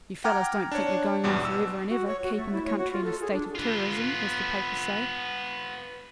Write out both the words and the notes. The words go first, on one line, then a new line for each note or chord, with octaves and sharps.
You fellers don't think you're going on for ever and ever, keepin' the country in a state of terrorism, as the papers say.
F#5 G5 A#5 D6 F6 G#6
D4 C#5
E2 G#2 B2 G3
E6
F#4
C#5
F#4
A3
E4
C#5
F#4
F4
A4
G#4
D4
B3 F4